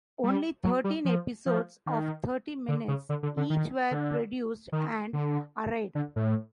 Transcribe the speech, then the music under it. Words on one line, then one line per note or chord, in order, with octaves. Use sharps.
Only thirteen episodes of thirty-minutes each were produced and aired.
G3
F#3
G3
F3
F3
D#3
D3
C#3
D3
D3
D3
D#3
D3
D#3
D3
D3
A2